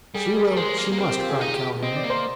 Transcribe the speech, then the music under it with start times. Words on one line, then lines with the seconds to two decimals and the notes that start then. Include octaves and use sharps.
"She will, she must," cried Calhoun.
0.15 G3 G#4
0.26 G4
0.36 G#4
0.46 A#4
0.57 G#3 C5
0.78 A#3
0.92 A#3
0.98 C4 A#4
1.10 G4
1.20 F4
1.30 G#4
1.40 D#4 G#4
1.54 G4
1.82 C4 D#5
1.96 D5
2.03 A#3
2.10 C5